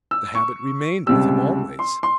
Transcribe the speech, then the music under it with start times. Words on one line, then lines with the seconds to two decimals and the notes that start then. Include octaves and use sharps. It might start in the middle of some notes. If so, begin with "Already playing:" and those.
The habit remained with him always.
0.11 E6
0.35 C#6
1.07 C#2 C3 G3 E6
1.79 C6
2.03 C6